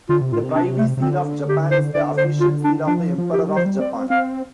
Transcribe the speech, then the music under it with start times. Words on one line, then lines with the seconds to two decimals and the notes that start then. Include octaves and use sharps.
The Privy Seal of Japan is the official seal of the Emperor of Japan.
0.09 D3 F4
0.21 C3
0.32 A2 F4
0.43 C3
0.55 D4
0.78 A3
0.97 C3
1.01 D3 C4
1.49 G4
1.71 C5
1.94 D3 D5
2.17 C5
2.40 F4
2.64 D4
2.87 F3 D4
3.18 F3
3.33 G4
3.49 G3
3.56 F3 C5
3.66 G3
3.80 C4 D5
4.10 C4 F5